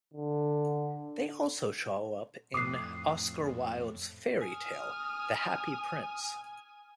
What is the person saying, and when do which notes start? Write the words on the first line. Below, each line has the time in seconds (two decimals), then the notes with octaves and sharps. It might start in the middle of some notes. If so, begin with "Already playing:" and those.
They also show up in Oscar Wilde's fairy tale The Happy Prince.
0.14 D3
2.54 F2 A2 D6 D#6 F#6 C7
4.42 G#5 D#6 F6